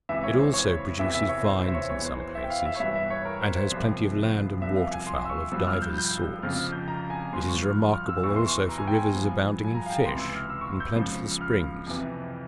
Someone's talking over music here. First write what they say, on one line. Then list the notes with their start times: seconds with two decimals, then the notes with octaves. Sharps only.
It also produces vines in some places, and has plenty of land and water fowl of divers sorts; it is remarkable also for rivers abounding in fish, and plentiful springs.
0.09 C#2 C3 E3 E5
0.24 C#5
0.39 C5
0.54 C#5
0.99 E2 C3 E3 E5
1.14 E5
1.29 C#5
1.44 C5
1.59 C5
1.68 E5
1.74 C#5
1.90 E2 E3 C#5
2.05 C5
2.20 C5
2.35 E5
2.44 G5
2.50 F5
2.66 E5
2.76 C#5
2.80 G2 E3 E5
2.95 E5
3.10 C#5
3.25 A#4
3.41 C5
3.56 C5
3.71 C2 C3 F3
4.61 C2 C3 F3 E5
4.76 F5
4.91 G#5
5.07 C6
5.25 E6
5.29 C#6
5.52 G2 F3 E6
5.67 F6
5.82 G6
5.98 G6
6.42 F2 C#3 F3 F6
6.57 F6
6.72 G6
6.88 A#5
7.10 G#5
7.33 G2 F3 C6
7.48 C#6
7.63 F6
7.93 F6
8.08 E6
8.23 E2 E3 C#6
8.36 C6
8.46 C#6
8.69 A#5
8.78 G#5
8.88 G5
8.95 G#5
9.14 G2 F3
9.65 G#5
9.75 A#5
9.86 F5
9.90 G5
10.05 C#2 C3 E3 C6
10.19 E6
10.35 F6
10.50 E6
10.61 C#6
10.65 E6
10.80 G6
10.95 C#2 C#3 F3
11.41 F6
11.87 F2 C3 E3